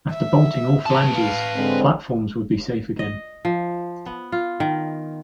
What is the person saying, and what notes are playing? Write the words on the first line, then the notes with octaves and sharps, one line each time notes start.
After bolting all flanges the platforms would be safe again.
E5
B4 A5
F5
D3 G#3 C4
D#5
F3
B3
F4
D#3